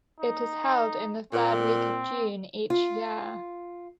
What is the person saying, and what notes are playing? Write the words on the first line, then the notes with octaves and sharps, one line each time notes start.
It is held in the third week of June each year.
D#4
A#2 C4
F4